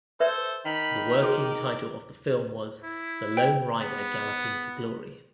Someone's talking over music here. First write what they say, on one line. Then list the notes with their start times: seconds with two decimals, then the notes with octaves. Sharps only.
The working title of the film was "The Lone Rider Galloping for Glory".
0.20 A4 B4 C5 D5 E5
0.66 D#3 B5
1.22 F#4 G#4 D6
2.83 E4
3.37 G5
3.80 B3